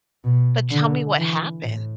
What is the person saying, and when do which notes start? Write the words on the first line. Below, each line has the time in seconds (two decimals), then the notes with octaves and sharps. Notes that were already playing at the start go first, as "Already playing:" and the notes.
But tell me what happened.
0.25 B2
0.71 D3
1.18 E3
1.64 A2